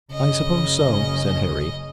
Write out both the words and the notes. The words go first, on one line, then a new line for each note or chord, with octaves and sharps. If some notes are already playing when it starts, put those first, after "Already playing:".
"I suppose so," said Harry.
F#1 C#3 D#5